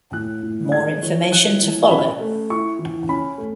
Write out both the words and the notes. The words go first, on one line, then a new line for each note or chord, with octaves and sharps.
More information to follow.
A2 F#6
A2
G#3 G#6
E3
E4 F#6
E3
C#4 B5
A3
E4 C#6
E3
C#4 B5
A3